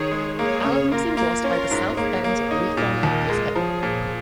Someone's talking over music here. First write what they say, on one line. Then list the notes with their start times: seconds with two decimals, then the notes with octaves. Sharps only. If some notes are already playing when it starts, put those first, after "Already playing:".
Allen was endorsed by The South Bend Reformer newspaper.
Already playing: D#3 G#4 C#5
0.11 G#3
0.38 A#3 G#4 C#5
0.64 C#3
0.92 A#3 F4 A#4
1.17 A#3
1.44 C#4 F4 A#4
1.71 G#2
1.97 A#3 G#4 C#5
2.24 A#3
2.51 D#4
2.77 A#2
3.03 D#2 A#4 D#5
3.29 G#3
3.56 F3 G#4 C#5
3.83 A#2